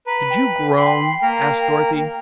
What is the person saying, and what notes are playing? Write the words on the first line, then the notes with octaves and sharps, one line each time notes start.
"Did you groan?" asked Dorothy.
B4 A#5
G5
B5 C6
A#3 A#4 G5